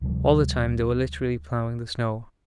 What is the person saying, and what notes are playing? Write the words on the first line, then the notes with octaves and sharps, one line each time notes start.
All the time they were literally ploughing the snow.
D1 C3 F3 G3